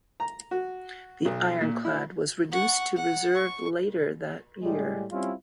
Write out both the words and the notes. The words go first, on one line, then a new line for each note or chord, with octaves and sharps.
The ironclad was reduced to reserve later that year.
A#5
F#4
B1
A#2
E4
F#5 C#6
F#5
C#6
A2 G3 G#3
G3 C4 C#4 E4 F4